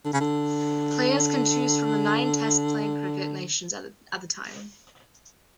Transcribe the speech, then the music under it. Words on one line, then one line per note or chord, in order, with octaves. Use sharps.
Players can choose from the nine Test playing cricket nations at the time.
D3
C#3
D3